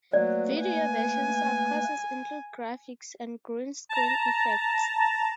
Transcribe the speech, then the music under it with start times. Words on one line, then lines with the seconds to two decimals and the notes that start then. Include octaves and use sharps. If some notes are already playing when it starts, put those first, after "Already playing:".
Video versions of courses include graphics and green screen effects.
0.13 F#3 A3 A#3 B4 D5
0.62 G#5
3.89 A5 A#5